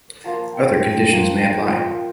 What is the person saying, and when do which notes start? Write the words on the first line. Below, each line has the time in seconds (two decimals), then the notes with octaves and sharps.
Other conditions may apply.
0.24 F3 A#3 F4 A#5
0.53 G5
0.83 G5
1.12 F3 A#3 F4 A#5
1.41 G5
1.66 F5
1.71 G5
1.90 C5